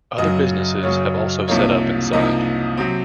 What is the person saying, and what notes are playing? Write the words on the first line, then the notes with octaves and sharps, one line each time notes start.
Other businesses have also set up inside.
F#2 C#3 F#3 D#5
F#2 C#3 F#3 C#5
C2 C3 F3 A#3 D#4 C#5
C2 C3 F3 A#3 D#4 D#5
C3 F#3 C4